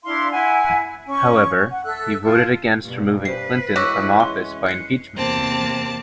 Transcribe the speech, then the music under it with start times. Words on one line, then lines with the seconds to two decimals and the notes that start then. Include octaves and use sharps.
However, he voted against removing Clinton from office by impeachment.
0.04 D4 E4 F5 C6
0.32 E4 F#5 G#5
1.08 C#4 C#6
1.71 F#5
1.85 A4 E5 E6 F#6
2.22 F4 A5
2.82 G2 B2 A#3
3.25 B4 C5 C7
3.76 E3 G#3 E4 F#4 C#5 D6 E6
4.20 C#4 C6
4.66 F#6 C7 C#7
5.15 E2 C3 A#3 C4 A5